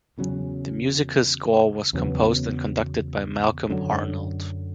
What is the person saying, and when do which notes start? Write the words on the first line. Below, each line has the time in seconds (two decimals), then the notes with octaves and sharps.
The musical score was composed and conducted by Malcolm Arnold.
0.18 E2 C#3 F#3 C#4
1.93 E2 C#3 F#3 B3
3.70 F#2 D3 F#3